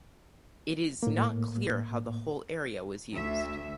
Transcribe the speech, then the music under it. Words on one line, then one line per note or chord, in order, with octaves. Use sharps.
It is not clear how the whole area was used.
A2 A#3
D2 E5